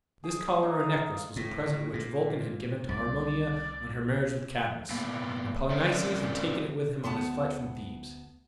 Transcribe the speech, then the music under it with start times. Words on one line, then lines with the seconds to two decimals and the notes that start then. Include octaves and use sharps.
This collar or necklace was a present which Vulcan had given to Harmonia on her marriage with Cadmus, and Polynices had taken it with him on his flight from Thebes.
0.24 G#4
0.47 C#6
0.63 D#4
0.75 D#5 F5
1.36 A2
1.93 A#2
2.89 C2 D5
4.90 A2 A#3 B3
5.70 A3 C4 C#4 A#4 C#5 D5
7.03 D2 B3 F#5 A5